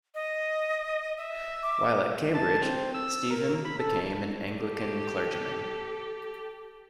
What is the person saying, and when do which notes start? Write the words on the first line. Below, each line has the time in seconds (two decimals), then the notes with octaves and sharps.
While at Cambridge, Stephen became an Anglican clergyman.
0.14 D#5
1.17 E5
1.63 D6
2.35 A5
2.62 C4
2.94 E6
3.30 A#4
3.65 B5
3.79 A4
4.59 G4 A4